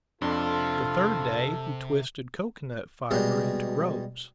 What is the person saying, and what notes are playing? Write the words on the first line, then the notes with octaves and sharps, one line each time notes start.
The third day he twisted cocoanut fiber into ropes.
F2 C3 D4 F4 A4 C6
B2 G3 G#3